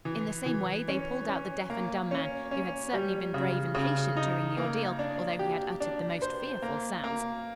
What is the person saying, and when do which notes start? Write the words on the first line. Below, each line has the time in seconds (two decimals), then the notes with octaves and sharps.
In the same way they pulled out the deaf and dumb man, who had certainly been brave and patient during the ordeal, although he had uttered the most fearful sounds.
0.05 E3
0.46 E3
0.88 C#4
1.28 C#4
1.70 A#3
2.11 C#4
2.51 C#4
2.93 G3
3.34 C#3
3.75 C#3
4.17 D#4
4.57 A#3
4.99 D4
5.39 G4
5.80 D4
6.22 C5
6.62 A#3
7.04 A#3